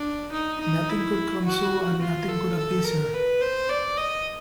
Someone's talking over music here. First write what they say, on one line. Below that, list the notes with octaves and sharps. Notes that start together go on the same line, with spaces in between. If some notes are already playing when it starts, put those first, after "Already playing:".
Nothing could console and nothing could appease her.
Already playing: D4
D#4
D#4
E4
F#4
F4
A4
A4
A#4
B4
C5
D5
D#5